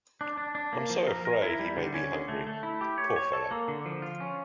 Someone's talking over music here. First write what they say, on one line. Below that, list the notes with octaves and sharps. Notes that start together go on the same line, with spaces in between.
I'm so afraid he may be hungry, poor fellow.
D4
D4
D4
A#3
F3
A#4
A#4
E4
G3
D3
C#4
D3
A3
A3
E4
G4
C#5
C#5
A4
A#3
D3
F3
F4
C#4